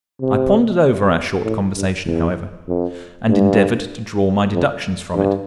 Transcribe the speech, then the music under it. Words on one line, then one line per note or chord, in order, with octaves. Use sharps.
I pondered over our short conversation, however, and endeavoured to draw my deductions from it.
C3
A2
G2
E2
F2
G2
F2
G2